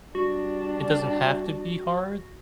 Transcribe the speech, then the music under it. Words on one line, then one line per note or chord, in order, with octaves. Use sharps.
It doesn't have to be hard
G3 D4 F#4